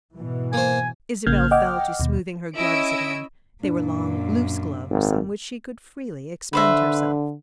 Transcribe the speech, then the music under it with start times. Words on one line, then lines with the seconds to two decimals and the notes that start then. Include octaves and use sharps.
Isabel fell to smoothing her gloves again; they were long, loose gloves on which she could freely expend herself.
0.16 G#2 B2 E3
0.53 A#3 C5 G#5
1.26 A1 C#3 A#3 F6 G6 G#6
1.51 D#5 F#5 G5 D6 F6
2.00 D#2 B2
2.55 C#4 E4 D#5 E6 D7
3.64 F#2 A#2 D4
4.90 G#1
6.53 D3 B4 C5 E5